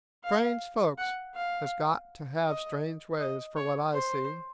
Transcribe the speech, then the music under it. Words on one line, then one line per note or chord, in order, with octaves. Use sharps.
"Strange folks has got to have strange ways, for what I see."
F5
F#5
F5
D#5
D#5
C#5
C5